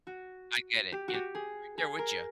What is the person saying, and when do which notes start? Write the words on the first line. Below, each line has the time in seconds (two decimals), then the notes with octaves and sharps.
I get it, you know? I'm right there with ya,
0.07 F#4
0.92 G4
1.08 F#4
1.14 G4
1.35 G#4
1.78 G#4
1.99 A#4